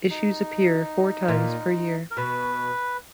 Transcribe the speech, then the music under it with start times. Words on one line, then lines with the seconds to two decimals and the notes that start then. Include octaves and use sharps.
Issues appear four times per year.
0.10 D#4
1.28 A#2
2.11 A#4
2.17 B2 B4